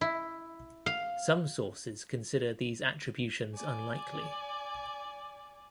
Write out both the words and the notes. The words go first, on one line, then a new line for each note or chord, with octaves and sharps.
Some sources consider these attributions unlikely.
E4
F5
D5 G#5